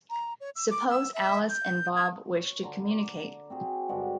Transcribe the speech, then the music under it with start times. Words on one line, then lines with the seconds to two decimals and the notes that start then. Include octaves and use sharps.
Suppose Alice and Bob wish to communicate.
0.10 A#5
0.40 C#5
0.56 E6
0.70 D6
0.90 E6
1.14 E5
1.50 G6
1.96 G#6
2.35 C#5
2.63 D3 A#5 C6
2.90 D6
3.50 C4 F#4 G#4
3.89 G2 D3 G#3 F#4